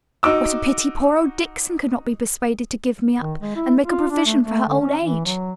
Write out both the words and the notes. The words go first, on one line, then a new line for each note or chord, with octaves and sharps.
What a pity poor old Dixon could not be persuaded to give me up, and make a provision for her old age!'
D#4 F#4 D6 E6
D#3
G#3
E4
F4
D4
A3
A3
D3
C#4
E3
F#3